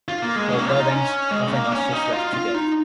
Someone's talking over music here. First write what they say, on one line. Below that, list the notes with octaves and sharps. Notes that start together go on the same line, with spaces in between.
Old buildings, nothing much is left today.
F4
A#3
G#3
G#3
C#4
A#3
F4
D#4
C#4
G#3
C#4
A#3
C#4
D#4
F4
F4
D#4